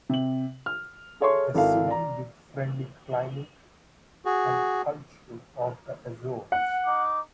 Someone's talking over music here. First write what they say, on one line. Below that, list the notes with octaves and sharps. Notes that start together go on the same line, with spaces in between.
A city with friendly climate and culture of the Azores.
C3 F#7
F6
G#4 A4 C#5 E5 C6 C#6
G#1 E4 A4 A#4 F5
D5 A#5
F#4 G#4
F#5
D#4 D6